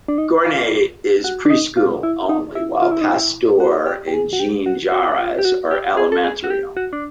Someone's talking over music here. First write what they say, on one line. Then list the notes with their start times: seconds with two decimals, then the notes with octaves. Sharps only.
Gournay is preschool only, while Pasteur and Jean Jaures are elementary only.
0.08 D4
0.18 D#4
0.45 F4
1.24 F#4
1.45 D4
1.50 D#4
1.77 F4
2.03 E4
2.29 D#4
2.55 E4
2.82 F4
2.92 E4
3.01 D#4
3.11 E4
3.60 F#4
3.86 G4
4.07 G4
4.14 G#4
4.33 F#4
4.40 G4
4.66 F#4
4.92 F#4
5.19 F4
5.38 G4
5.45 F#4
5.71 G4
5.97 G#4
6.12 A4
6.24 G#4
6.44 F#4
6.50 G4
6.77 F#4
6.93 D4